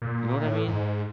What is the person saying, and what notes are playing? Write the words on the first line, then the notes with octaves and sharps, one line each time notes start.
You know what I mean?
A#2
A2
G#2